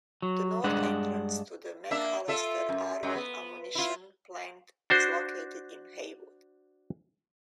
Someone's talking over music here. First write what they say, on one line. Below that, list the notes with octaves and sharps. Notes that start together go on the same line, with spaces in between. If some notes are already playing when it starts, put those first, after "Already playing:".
The north entrance to the McAlester Army Ammunition Plant is located in Haywood.
F#3
G2 G#3 D4 F#5
A#3 D4 E5
F4 A4 E5
F#2
F#2 F#3 G#3
B3
E4 F4
D4 F#4 C5